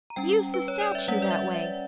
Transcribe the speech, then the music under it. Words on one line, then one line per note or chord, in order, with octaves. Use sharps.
"Use the statue that way."
A#5
G3 C#4 G5
B4
C#5
D5
E5
G3 C#4 F#5
D5
E5
E5